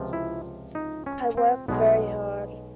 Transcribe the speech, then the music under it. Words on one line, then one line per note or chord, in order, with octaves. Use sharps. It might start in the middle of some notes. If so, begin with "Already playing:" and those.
I worked very hard.
Already playing: C#2 C3 F3
E4
D#4
C#4
C4
B1 B2 G#3 B3